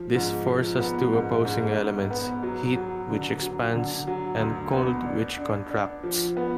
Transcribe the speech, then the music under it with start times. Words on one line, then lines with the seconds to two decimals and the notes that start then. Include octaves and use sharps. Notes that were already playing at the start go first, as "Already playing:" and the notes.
This force has two opposing elements: heat, which expands, and cold, which contracts.
Already playing: F3
0.15 G#2
0.47 F3
0.80 B3
1.13 G#2
1.45 G#2
1.78 G#2
2.11 B3
2.43 F#3
2.76 F#3
3.10 D3
3.42 F#3
3.75 D3
4.07 F#3
4.40 D2
4.73 B3
5.06 D4
5.38 D4
5.71 D4
6.03 F3
6.37 B3